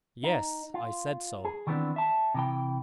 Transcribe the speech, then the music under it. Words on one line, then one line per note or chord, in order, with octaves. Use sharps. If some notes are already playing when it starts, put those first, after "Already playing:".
"Yes, I said so."
D#4
F4
G#4
D#3 E3 G3 B3 C4 D4
E5 A5
C3 E3 G5